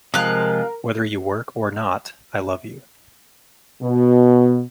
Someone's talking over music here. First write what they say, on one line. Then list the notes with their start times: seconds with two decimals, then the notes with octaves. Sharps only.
Whether you work or not I love you.
0.14 C3 F3 G#3 A#4 F5 F#6
3.83 B2